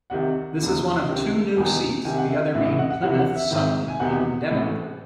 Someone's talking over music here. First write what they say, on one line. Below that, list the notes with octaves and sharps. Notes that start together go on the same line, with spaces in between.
This is one of two new seats, the other being Plymouth Sutton and Devonport.
C2 C3 D#3 F#5
E1 D#2 C#3 E3
C#2 C3 D#3
E1 E2 D#3 G#5
C2 C3 D#3 G#5
F#5
E5
A1 A2 E3 E5
D#5
E5
F#5
F#5
C2 C3 E3 F#5
F#5
E5
G#1 G#2 D#3 E5
G#5
E1 E2 C3 D#3 F#5
A1 A2 E3